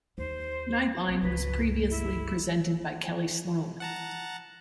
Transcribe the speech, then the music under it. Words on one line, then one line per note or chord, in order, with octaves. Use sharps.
"Nightline" was previously presented by Kellie Sloane.
D#2 D#3 C5
A#1
G1 C#2 B4
E4
F#5 A5 A#5